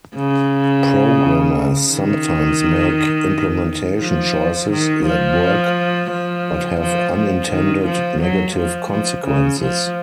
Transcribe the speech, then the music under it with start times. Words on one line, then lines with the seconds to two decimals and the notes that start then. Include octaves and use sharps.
Programmers sometimes make implementation choices that work but have unintended negative consequences.
0.16 C#3
1.91 D#3
4.01 F3
4.71 D#3
5.06 F3
6.12 F3
6.81 F3
7.16 F3
7.51 D#3
7.85 F3
8.21 F#3
8.56 F3
8.91 F3
9.26 C#3
9.61 F3